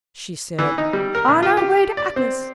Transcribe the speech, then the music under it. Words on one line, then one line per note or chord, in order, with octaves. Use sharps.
She said, 'On our way to Aklis.'
E3
D#4
G3
A#4
A#1
F4
G4
D5
C4